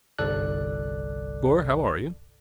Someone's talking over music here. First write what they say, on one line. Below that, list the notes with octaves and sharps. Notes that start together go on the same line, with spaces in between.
Gore, how are you?
G1 C2 A4 D5 F#6